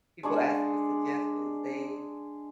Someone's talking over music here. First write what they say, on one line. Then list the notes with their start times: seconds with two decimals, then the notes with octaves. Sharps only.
people ask for suggestions, they
0.23 G#3 D4 G#4 C#6